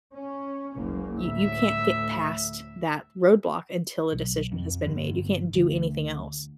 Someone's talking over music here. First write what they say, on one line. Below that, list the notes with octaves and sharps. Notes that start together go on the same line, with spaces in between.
you you can't get past that roadblock until a decision has been made. You can't do anything else.
C#4
F#1 C#2 A#3
D2 A2 E5
B1
F2
G1
D2